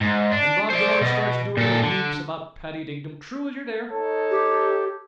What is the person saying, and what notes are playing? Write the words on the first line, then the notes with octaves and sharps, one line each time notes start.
And Bob Doran starts doing the weeps about Paddy Dignam, true as you're there.
G#2
D4
C5 D5
B2
A#2 A4
D3
D#4 A4 C#5
G4